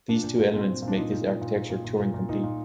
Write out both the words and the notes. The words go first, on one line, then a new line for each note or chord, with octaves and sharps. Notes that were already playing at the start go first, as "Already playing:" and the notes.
These two elements make this architecture Turing-complete.
A#2 D4
A#2
A#2
A#2 C4
A#2
A#2
D4
A#2 D#4
A#2
A#2
A#2
A#2
A#2
A#2
A#2
A#2
A#2 D#4
A#2